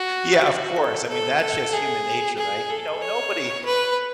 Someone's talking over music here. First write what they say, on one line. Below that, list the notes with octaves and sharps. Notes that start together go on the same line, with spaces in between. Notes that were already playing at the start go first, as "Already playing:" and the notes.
Yeah, of course, I mean, that's just human nature, right? You know, nobody
Already playing: F#4
F#4
A4
A4
A4
G#4
G#4
A4
C#5
B4